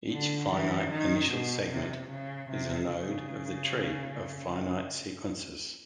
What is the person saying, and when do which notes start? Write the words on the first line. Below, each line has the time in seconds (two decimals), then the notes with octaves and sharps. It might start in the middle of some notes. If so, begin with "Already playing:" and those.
Each finite initial segment is a node of the tree of finite sequences.
0.11 D3
0.51 E3
0.91 D#3
1.31 B2
1.70 C3
2.10 C#3
2.50 C3
2.90 C#3